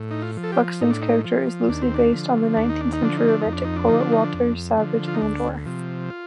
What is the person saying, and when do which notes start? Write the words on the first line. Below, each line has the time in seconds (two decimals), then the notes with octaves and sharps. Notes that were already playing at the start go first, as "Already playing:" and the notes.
Buxton's character is loosely based on the nineteenth century Romantic poet Walter Savage Landor.
Already playing: A2
0.11 D#4
0.22 F4
0.37 F3
0.44 A4
0.52 G4
0.81 A2 D#4
0.91 D4
1.01 D#4
1.25 F3
1.69 D#2 D4
1.82 C4
1.94 D4
2.13 D3 F3
2.57 D#2 D4
2.69 D#4
2.81 D4
2.93 D#4
3.02 D3 F3 D4
3.17 D#4
3.29 D4
3.41 F2 D#4
3.52 D4
3.65 D#4
3.76 D4
3.88 D3 F3 D#4
4.01 D4
4.12 D#4
4.24 D4
4.34 F2
4.77 D3 F3
5.08 F4
5.14 D#4
5.22 D2 D4
5.66 C3 F3
6.10 F4